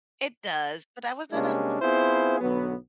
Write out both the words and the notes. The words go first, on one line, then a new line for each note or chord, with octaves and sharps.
it does, but I was at a
C3 G3 G#3 A#3 C#4 D4
B3 C4 E4 F4 G#4 C5
B1 D3 F#3 B3